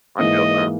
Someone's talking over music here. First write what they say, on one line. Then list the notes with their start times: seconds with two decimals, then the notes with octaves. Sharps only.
I feel that.
0.19 G#2 E3 A#3 D#5